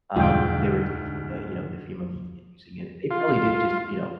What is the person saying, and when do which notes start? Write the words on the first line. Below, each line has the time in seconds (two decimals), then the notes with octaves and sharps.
that, um, they were taking the, you know the FEMA money and using it they probably did just, you know
0.16 E1 D2 G#2 G3 F4 G#4 F5 G5
3.11 F4